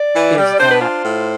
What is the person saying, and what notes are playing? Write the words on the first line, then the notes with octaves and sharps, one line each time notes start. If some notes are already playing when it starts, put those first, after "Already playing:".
is that
Already playing: D5
E3
G3
D4 C5
B4
F4 C5
A2